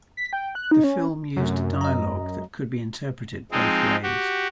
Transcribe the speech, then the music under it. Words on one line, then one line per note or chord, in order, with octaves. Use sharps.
The film used dialogue that could be interpreted both ways.
B6
G5
F#6
D#4
C#4
F#2 C3 A3
D#5 A#5
F3 G#3 C4 D#4
F#4 G4